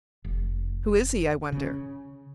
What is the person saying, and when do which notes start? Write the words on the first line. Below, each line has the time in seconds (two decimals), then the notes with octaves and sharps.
"Who is he, I wonder?"
0.24 F1
1.52 C#3